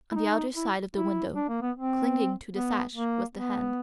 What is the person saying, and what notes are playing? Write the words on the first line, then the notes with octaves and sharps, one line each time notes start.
On the outer side of the window, clinging to the sash, was the hand.
E4
D#4
E4
E4
D4
A#3
B3
C4
B3
A#3
B3